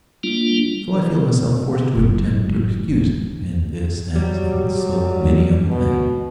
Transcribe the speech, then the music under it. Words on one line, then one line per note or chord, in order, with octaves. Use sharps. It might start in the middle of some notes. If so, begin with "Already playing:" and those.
So I feel myself forced to attempt to excuse him in this as in so many other things.
G3 A#3 D4 F4
F#1 F#3
F#3 G3
B2